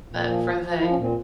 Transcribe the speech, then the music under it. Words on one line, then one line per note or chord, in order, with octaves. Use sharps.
But, for the
A#2
F3
F3
F3
F3 E4
C#4
A#2
C4